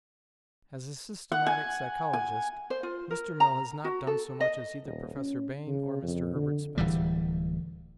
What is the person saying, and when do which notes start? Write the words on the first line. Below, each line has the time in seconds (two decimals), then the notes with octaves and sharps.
As a systematic psychologist Mr. Mill has not done so much as either Professor Bain or Mr. Herbert Spencer.
1.32 F#5
1.46 G#5
2.13 G#5
2.70 C5
2.83 F4
3.11 A#4
3.40 A#5
3.85 F#4
4.07 A4
4.41 D#5
4.83 D#1
5.16 C#4
5.67 C#3
6.03 F2
6.35 D3
6.78 D1 E3 G3